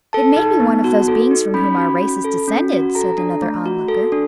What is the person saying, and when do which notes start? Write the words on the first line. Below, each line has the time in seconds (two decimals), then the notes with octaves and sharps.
"It may be one of those beings from whom our race is descended," said another onlooker.
0.13 A4 A5
0.36 D#4
0.60 B3
0.84 F#4
1.08 A4
1.31 D#4
1.54 C#4 B5
1.78 F#4
2.01 C#4
2.24 A4
2.48 C#4
2.72 F#4
2.95 A4 A#5
3.18 D4
3.42 A3
3.66 F#4
3.89 A4
4.12 D4